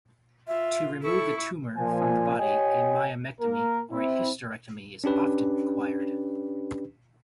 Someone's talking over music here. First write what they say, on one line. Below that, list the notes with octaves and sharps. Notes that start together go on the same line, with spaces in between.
To remove the tumor from the body, a myomectomy or hysterectomy is often required.
F4 E5
E4 A4 C#6
A#2 F3 G#5
G4 C#5 D#5 G5 G#5
A#3 A#4
C4 E4
C#4 D4 G4 B4